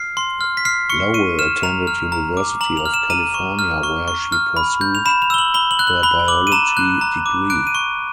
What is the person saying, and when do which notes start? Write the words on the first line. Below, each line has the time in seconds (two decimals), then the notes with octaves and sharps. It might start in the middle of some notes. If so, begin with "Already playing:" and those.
Lowell attended University of California where she pursued her Biology degree.
Already playing: F6 C7
0.17 C6
0.41 F6
0.57 B6
0.65 F6 C7
0.90 C#6 C#7
1.14 C#6 D#7
1.39 F6 E7
1.63 A#5 F7
1.87 F6
2.12 A#5
2.37 D6
2.61 A#5 F#7
2.77 F7
2.86 F6
2.94 E7
3.10 A#5 D#7
3.34 C#6
3.59 F6
3.83 C#6
4.08 C#6
4.32 F6
4.57 B5
4.81 G6
4.95 F7
5.06 B5 E7
5.22 F7
5.30 E6 G7
5.38 F#7
5.54 B5 G7
5.71 F#7
5.79 F#6
5.87 F#7
6.03 B5 G7
6.28 D6 F#7
6.47 D#7
6.52 A#5 E7
6.77 F#6
7.01 A#5
7.26 D6
7.50 F#6 D7
7.67 D#7
7.75 C#6